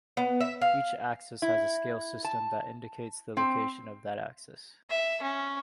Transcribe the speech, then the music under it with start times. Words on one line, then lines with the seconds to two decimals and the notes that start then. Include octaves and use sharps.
Each axis has a scale system that indicates the location of that axis.
0.17 B3
0.40 E5
0.61 F5
1.42 E4
2.24 A5
3.37 C4
4.90 E5
5.22 C#4